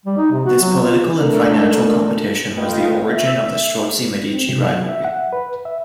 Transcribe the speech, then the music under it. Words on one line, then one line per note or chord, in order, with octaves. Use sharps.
This political and financial competition was the origin of the Strozzi-Medici rivalry.
G3
D#4
C3
F#4
F#3
F4
A3 D4 A4 A#4
A3 F4 B4 D#5 F5 G5
E5
C4
C3
F#3
E5
F#5
B4
E5